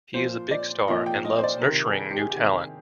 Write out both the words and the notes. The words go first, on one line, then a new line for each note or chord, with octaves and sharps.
He is a big star and loves nurturing new talent.
A#2 F3 C5
D5
A#2 F3 D#5
G5
D#5
C5
D5
C3 D#3 A#4
G#4
G4
G#4
G4
C3 D#3